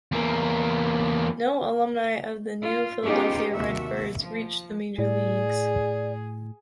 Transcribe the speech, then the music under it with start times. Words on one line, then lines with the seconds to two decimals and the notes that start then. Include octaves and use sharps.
No alumni of the New Philadelphia Red Birds reached the major leagues.
0.12 E2 A#3
2.64 F4
3.03 B3 C#4 D#4 F4 G4 G#4
3.52 D#2 C3 F#4 E5
4.19 F3
4.98 A2 G#4 D5